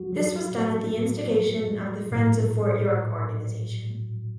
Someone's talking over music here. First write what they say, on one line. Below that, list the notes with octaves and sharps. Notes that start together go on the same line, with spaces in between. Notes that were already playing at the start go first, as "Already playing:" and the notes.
This was done at the instigation of the "Friends of Fort York" organization.
Already playing: F#3 F#4
F#3
A2
A2
F#3
F#3
A2